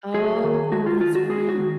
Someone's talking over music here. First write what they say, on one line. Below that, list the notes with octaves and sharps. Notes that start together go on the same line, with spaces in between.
Oh, that's right.
F#3 G#4
D#3
G#3 F#4
F4
D#3 F4
F#4
G#3 G#4
F#4
D#3